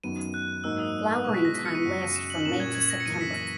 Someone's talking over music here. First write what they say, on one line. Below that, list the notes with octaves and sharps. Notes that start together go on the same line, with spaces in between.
Flowering time lasts from May to September.
F#2 D#3 F#3 B3 D#7
F#6
G#2 F#3 A#3 D#4 E6
D#6
B2 G#3 B3 C#6
B6
A#6
B6
C#7
D#7
F#2 C#3 F#3
E7
F#7
F#7
A#2 A#3 C#4 E7
G#6
G#6
A#6
C#7
F#2 E3 A#3 D#7
B6
A#6